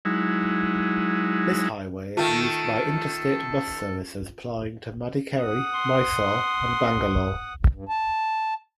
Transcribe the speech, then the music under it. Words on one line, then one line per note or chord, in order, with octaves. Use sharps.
This highway is used by interstate bus services plying to Madikeri, Mysore and Bangalore.
F#3 G#3 D#4 E4
D#3 A3 F4 A4
F#5 D#6
C6
G2
A5